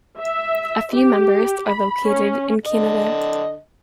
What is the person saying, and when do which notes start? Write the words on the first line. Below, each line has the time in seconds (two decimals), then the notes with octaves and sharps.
A few members are located in Canada.
0.18 E5
0.94 G4
1.69 B5
2.06 C#4
2.66 D3 D#5